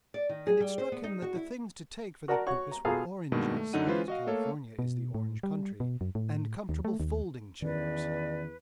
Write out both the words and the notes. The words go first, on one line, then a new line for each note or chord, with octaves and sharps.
And it struck him that the things to take for that purpose were oranges--because California is the orange country--and comfortable folding chairs.
D5
D#3
G#4
G3
C5
B3
D#4
F#4
E4
F#4 A#4 D5 F#5 A5 A#5
F#4 C#5 F#5 C#6
A#5
B2 F4 G#4 A4 F5 A#5
G2 B2 D#3 G#3 A#3
A3
F#2 D3 F#3 D#4 F#5 D#7
E3 G#3 C#4 F4 B4 C5
F#4 D#5 F5
A3 A#3 A4 C#5 F5
B2
A2
G3
B2
F#2
A2
D#2
A3
D#2
E2 D#3 C#4 B4 D5